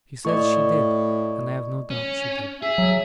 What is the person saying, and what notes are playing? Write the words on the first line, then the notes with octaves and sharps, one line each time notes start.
She said she did, and I have no doubt she did.
A2 D5 D#5 C#6
C#4
G#4 E5
F#3